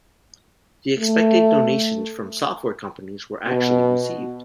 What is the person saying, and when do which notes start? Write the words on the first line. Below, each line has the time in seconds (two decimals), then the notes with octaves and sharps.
The expected donations from software companies were actually received.
0.99 A3
3.46 B2